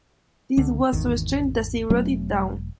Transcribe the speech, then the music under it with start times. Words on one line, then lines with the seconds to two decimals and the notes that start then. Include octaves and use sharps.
This was so strange that she wrote it down.
0.57 C#2 D3 C#4
0.93 G#1 E2 D#3
1.90 E1 F#3 A3 C#4